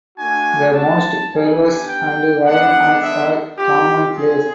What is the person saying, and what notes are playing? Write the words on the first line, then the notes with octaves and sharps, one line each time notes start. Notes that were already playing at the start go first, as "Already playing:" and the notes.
The most perverse and violent acts are commonplace.
A3 D4 F#4 G#5
A5
B3 D4 G4 G#5
G5
G#3 B3 D4 F#5
E5
C4 F4 G4
G#4